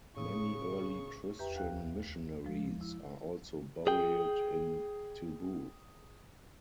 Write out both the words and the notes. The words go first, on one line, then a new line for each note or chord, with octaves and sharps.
Many early Christian missionaries are also buried in Tubou.
A2 C#3 C#6 D#6
E2 G4 B4 E5 G5 A#5
D2 F5 G5 F#6
F3 G#3
E4
G#4 G5